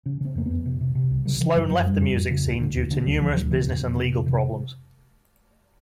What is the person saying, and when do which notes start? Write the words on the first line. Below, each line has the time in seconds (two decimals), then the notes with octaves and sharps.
Sloan left the music scene due to numerous business and legal problems.
0.06 C#3 C#4
0.21 C#3 C4
0.35 F2 A#3
0.46 F2 B3
0.66 C3
0.81 C3
0.95 C3
1.11 C2
1.25 C#3 F#3
1.40 C#3 F3
1.56 F#2 F#3
1.70 F#2 F#3
1.86 F2 G3
2.01 F2
2.16 F2
2.31 C#3
2.46 D#2
2.61 D3
2.76 D#2
2.91 D3
3.05 D2 F#3
3.21 D2 F3
3.36 D2 F#3
3.51 C#3 F3
3.66 F2
3.81 F2
3.96 C3
4.11 F2
4.26 C3 D#3